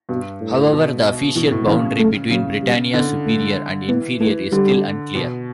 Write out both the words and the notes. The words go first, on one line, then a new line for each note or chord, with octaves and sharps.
However, the official boundary between Britannia Superior and Inferior is still unclear.
G2 B2
A2
B2
B2 E3
A2
C#3 E3
A3
C#3 F#3
G3
D3 B3
A3
E3 B3
E3 A3
D3 G3
B2